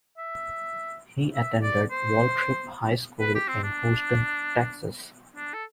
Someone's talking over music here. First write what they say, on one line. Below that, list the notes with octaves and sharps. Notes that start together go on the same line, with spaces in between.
He attended Waltrip High School in Houston, Texas.
E5
E5
D5
C5
B4
G4
C4
D4
D4
A4